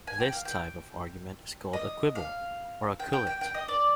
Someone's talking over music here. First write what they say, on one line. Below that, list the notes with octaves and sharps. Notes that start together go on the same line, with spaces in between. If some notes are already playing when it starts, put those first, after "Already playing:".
This type of argument is called a "quibble" or "quillet".
G#5
G5
F5
G5
D#5
F5
G5
G5
G5
G5
D#5
D5